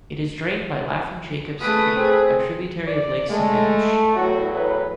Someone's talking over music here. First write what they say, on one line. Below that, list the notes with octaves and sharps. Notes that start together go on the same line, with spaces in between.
It is drained by Laughing Jacobs Creek, a tributary of Lake Sammamish.
A3 G#4 B4 D#6
C4 G#4
D5
G#3 A3
E2 A2 F#3 F#4
B4